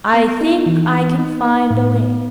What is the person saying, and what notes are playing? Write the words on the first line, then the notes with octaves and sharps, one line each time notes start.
"I think I can find a way."
B3
D#4
E3
B3
D#4
D#4
A2 F5
B3